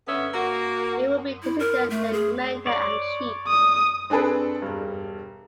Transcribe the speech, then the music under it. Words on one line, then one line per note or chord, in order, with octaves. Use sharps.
He would be considered their commander and chief.
D3 B3 C#4 E5
A#3 F#4
E4
A#4
A3
G#4
C#5 D5
D#6
C4 D4 G#4 A4 B4
E1 G2